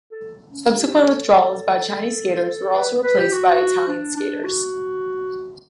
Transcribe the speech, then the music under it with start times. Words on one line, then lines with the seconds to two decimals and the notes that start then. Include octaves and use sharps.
Subsequent withdrawals by Chinese skaters were also replaced by Italian skaters.
0.12 A4
0.50 C#4
0.78 G4
1.06 A4
2.75 B4
3.03 B4
3.18 G4
3.32 F#4
3.88 D4
4.16 D4
4.44 F#4